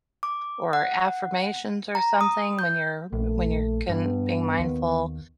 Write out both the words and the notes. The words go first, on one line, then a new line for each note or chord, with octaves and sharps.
or affirmations or something when you're when you're con being mindful,
D6
F#5
A#5
D#6
G6
A#1 A3
G2 B3
D#2